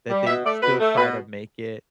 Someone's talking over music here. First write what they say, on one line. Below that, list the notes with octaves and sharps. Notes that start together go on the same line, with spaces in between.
that they still try to make it,
G3
B2 E5
A3 D5
B2 B4
A3
B2 B4